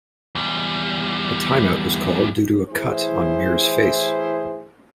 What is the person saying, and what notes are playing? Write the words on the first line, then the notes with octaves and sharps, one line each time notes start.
A time out was called due to a cut on Mir's face.
E2 G3
A2 E3 E4 G#4 C5